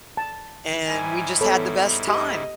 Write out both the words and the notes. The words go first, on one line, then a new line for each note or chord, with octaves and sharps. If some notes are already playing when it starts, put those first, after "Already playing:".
and we just had the best time.
A5
G#2 G3 E4 G#5
B3 A4 C#5 B5
G4 D#5